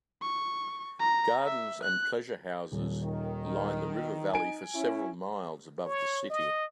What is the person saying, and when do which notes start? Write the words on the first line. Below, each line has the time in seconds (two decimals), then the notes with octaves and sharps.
Gardens and pleasure houses line the river valley for several miles above the city.
0.22 C#6
0.99 A#5
1.46 E5
1.83 F#6
2.72 D#1
3.03 D#3
4.33 D#4 G#5 D7
4.75 C#4 E4
5.85 C#5
6.30 D#5